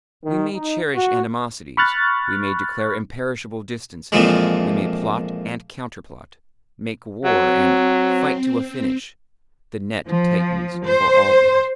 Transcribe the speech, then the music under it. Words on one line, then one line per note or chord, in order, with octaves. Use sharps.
We may cherish animosities, we may declare imperishable distances, we may plot and counter-plot, make war and "fight to a finish;" the net tightens for all that.
D#3
D#4
F#4
B5 C#6 F6 F#6 A6
F2 A#2 E3 F3 G#3
F#3 C4
F3
C5